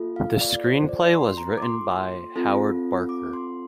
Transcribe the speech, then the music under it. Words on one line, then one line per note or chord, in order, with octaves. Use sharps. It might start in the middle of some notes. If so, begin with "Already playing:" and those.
The screenplay was written by Howard Barker.
Already playing: A#3 F4 A4
F5
D5
C5
D5
C6
A#5
D6
C6
C4 F4 A4
D6
C6